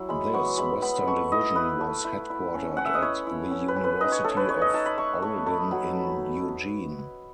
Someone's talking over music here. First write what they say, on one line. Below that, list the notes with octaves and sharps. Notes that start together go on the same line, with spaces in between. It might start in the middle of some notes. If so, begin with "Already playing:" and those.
This western division was headquartered at the University of Oregon in Eugene.
Already playing: F#3 E4
G#3 B5
B3 C#6
G#3 B5
B3 B5
A3 C#6
E4 D#5
E4 B4
A3
E4
E4
C#4
C#4 F#5
E5
D#5
E4 C#5
E4
C#4
B4
C#4
B4
D#4 D#5
C#5
A3 A4
B4
D#4 C#5
D#5
D#4 A5
B5
A3 C#6
A3 C#6
A3 B5
F#3 B5